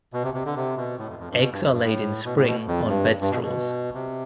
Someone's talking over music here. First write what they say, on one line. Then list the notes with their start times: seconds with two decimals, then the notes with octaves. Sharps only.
Eggs are laid in spring on bedstraws.
0.13 B2
0.23 C3
0.34 C3
0.45 D3
0.56 C3
0.77 B2
0.98 A2
1.08 F2
1.19 F2
1.30 G2
1.40 B2
1.51 G2
1.62 F2
1.72 G2
1.83 A2
2.25 B2
2.36 A2
2.46 B2
2.67 F2
2.89 G2
3.21 G2
3.31 B2
3.42 B2
3.95 C3